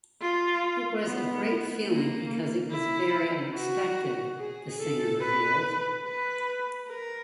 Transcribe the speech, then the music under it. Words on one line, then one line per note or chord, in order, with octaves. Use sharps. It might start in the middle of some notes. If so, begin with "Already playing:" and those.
It was a great feeling because it was very unexpected, the singer revealed.
F4
B3
A#3
E4
F#4
G#4
A4
B4
B4
A#4